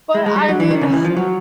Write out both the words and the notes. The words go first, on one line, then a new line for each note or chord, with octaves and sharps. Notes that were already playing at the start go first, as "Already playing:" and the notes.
But I mean, h
G#3
G#3
G3
F#3
E3
D#3
C#3
E3
F3
F#3